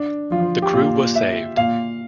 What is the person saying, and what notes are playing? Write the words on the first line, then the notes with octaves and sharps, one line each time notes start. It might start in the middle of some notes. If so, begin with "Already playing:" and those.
The crew was saved.
Already playing: D4
F3 F4
G4
A#2 F4
E5
A#2 F5